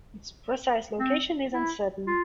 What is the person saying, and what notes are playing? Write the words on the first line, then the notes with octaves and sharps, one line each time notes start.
Its precise location is uncertain.
C4
E4
F4